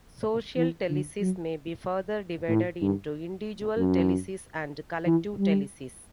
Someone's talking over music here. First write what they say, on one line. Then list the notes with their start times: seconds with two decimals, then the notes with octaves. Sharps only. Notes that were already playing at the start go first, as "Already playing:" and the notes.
Social telesis may be further divided into individual telesis and collective telesis.
0.57 E3
0.90 D3
1.21 F#3
2.49 A2
2.82 G2
3.77 F#2
5.06 E3
5.39 G3